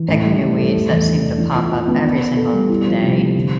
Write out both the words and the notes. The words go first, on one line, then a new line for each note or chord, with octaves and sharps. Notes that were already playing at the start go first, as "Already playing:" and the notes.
pick new weeds that seem to pop up every single day,
Already playing: E3
A2
G3
G3
A4
A3
E2
D4
D4
E3
F4
F4
B3
D4
D4
A4
G3
E4
F3
C3
C3
D3